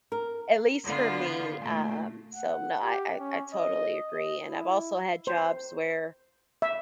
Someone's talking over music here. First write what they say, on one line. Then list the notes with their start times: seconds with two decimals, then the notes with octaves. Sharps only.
at least for me. Um, so no, I I I totally agree, and I've also had jobs where
0.12 A#4
0.85 D3 B3 F4
1.61 A#2 A3
2.35 F#5
2.82 G4
3.19 C#4
3.54 D#5
4.11 D#5
4.46 E4
5.27 C5
6.62 E5